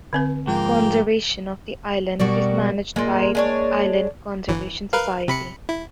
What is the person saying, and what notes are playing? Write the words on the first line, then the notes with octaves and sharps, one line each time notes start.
Conservation of the island is managed by the Island Conservation Society.
D3 C4 B4
G#2 F3 A#3 G5
B2 G3 F#4 A#4 D5
A#2 G#3 A#3
G#3 D4 C#5
G1 E3
A#4 B4 F5
C3 B5 C#7
E4